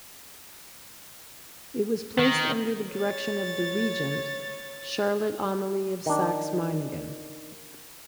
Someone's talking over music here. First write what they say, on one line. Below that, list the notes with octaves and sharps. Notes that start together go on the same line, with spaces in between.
It was placed under the direction of the Regent, Charlotte Amalie of Saxe-Meiningen.
D#3
C#5 A6
D#3 D4